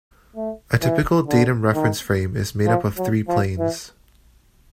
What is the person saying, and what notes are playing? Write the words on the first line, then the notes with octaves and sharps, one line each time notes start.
A typical datum reference frame is made up of three planes.
A3
E3
D3
D#3
F3
F#3
F3
E3